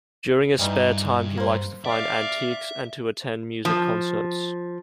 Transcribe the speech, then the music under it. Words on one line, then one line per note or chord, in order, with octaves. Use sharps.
During his spare time he likes to find antiques and to attend music concerts.
G2 E3 G3 D#4
A#3 C5
D5 E5 F5
F3